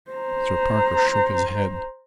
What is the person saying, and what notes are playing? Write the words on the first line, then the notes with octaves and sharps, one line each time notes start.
Mr. Parker shook his head.
C5 A#5